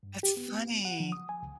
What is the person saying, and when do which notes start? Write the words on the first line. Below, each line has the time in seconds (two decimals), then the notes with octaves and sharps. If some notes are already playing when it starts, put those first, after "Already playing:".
That's funny.
0.03 G2
0.23 G4
0.37 B3
0.49 B3
0.85 F#5
1.00 F3
1.12 D#6
1.29 G#5
1.43 C#2